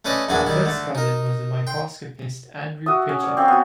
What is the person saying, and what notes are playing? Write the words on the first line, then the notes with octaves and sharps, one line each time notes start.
A first cousin was the microscopist Andrew Pritchard.
A3 C#4 B4 D5 D#5
A#1 E2 E3 D4 F#4 G#5
D#3 G3 E4
D3 A3
D#4 A#4
G5 C6
F#4 E5 D#6
C#4
D5 D6
C4 C#4 F5
B3 F#4